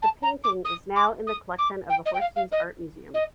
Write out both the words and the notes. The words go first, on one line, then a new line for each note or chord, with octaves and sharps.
The painting is now in the collection of the Horsens Art Museum.
A5
A#5
D6
D#6
D6
D#6
D6
G5
D#5
G5
F5
F5
D#5
D#5